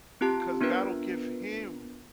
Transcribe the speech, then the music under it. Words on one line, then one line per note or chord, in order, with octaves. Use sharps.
'cause God will give him
C4 F4 G4 A5
B3 D4 F4 A#4 B4